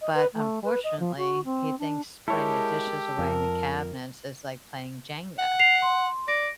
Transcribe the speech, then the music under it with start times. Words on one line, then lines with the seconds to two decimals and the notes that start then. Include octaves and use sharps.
but unfortunately, he thinks putting the dishes away in the cabinets is like playing Jenga,
0.01 D#5
0.14 B4
0.34 A3
0.64 B4
0.84 D#5
1.00 F3
1.17 F#4
1.45 C4
1.79 D4
2.28 G#3 E4 G4 A4 A#4 C#5 G5
3.18 F2 A#4
5.39 F#5
5.59 C7 F7
5.82 C6
6.28 D5 A#6 D7